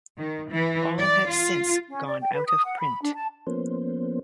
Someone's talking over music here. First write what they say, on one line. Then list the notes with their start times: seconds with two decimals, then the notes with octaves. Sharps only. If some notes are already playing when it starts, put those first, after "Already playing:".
All have since gone out of print.
0.16 D#3
0.50 E3
0.99 D5
1.29 F4
1.90 C#4
2.07 D5
2.21 G5
2.33 B4
2.48 D#6
2.65 F#5
2.80 B5
3.01 D4
3.14 A5
3.47 F3 A#3 B3 C#4 C5